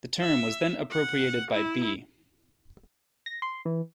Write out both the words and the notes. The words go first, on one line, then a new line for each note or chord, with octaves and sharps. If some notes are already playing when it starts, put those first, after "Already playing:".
The term was then appropriated by B.
E5
F#5
E4
A#6
C6
E3